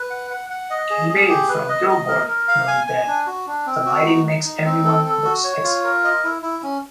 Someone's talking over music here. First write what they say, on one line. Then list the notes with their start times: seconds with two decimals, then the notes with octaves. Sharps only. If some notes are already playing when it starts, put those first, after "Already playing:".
Katie Bain from "Billboard" noted that "the lighting makes everyone look sexy".
Already playing: B4
0.10 F#5
0.31 F#5
0.50 F#5
0.70 D#5
0.90 G#4
1.09 G#4
1.29 G4
1.49 B4
1.69 D#5
1.89 D#5
2.08 A#4
2.28 A#4
2.48 F5
2.68 G#5
2.87 G#5
3.08 D4
3.27 F#4
3.47 D4
3.66 C4
3.86 F#4
4.06 D#4
4.26 D#4
4.45 D#4
4.65 C4
4.85 A4
5.05 A4
5.25 F#4
5.44 C#5
5.64 F4
5.84 A#4
6.04 D#5
6.24 E4
6.42 E4
6.63 C#4